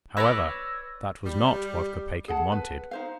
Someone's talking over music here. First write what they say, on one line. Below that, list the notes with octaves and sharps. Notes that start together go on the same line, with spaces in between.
However, that was not what Kopeikin wanted.
B4 C#5 D5 E6 G#6 A#6
G3
G#4 F#5 A5
B4
D#4 C5 F5